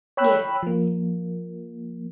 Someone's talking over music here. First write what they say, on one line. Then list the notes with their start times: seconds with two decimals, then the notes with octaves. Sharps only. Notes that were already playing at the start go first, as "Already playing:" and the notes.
Yeah. Yeah. Yeah.
0.17 C#5 G5 B5 E6 F#6
0.63 F3 A#3